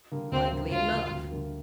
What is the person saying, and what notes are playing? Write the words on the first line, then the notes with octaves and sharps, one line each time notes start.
Likely enough.
D3 G3 A#3
D2 C4
D3 G3 A#3
D2 F4
D3 G3 A#3
D2
D3 G3 A#3